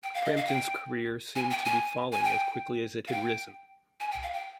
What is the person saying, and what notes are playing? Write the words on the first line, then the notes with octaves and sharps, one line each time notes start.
Frampton's career seemed to be falling as quickly as it had risen.
G5
F5
D#5
F5
G5
G#5
G5
G#5
G#5
G5
F5
G5
G#5
G5
F5
G5